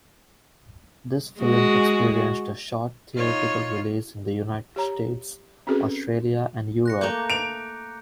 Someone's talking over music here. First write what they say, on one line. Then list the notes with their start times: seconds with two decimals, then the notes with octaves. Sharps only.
This film experienced a short theatrical release in the United States, Australia, and Europe.
1.40 G#3 F#4
3.16 D#4 F4 C#5
4.76 G4 C#5 A#5
5.67 C4 C#4 F#4 G#4 A4 B4
6.86 F#6 A#6 C#7
7.01 A3 A#3 A#5 D6 G6
7.30 D7 F7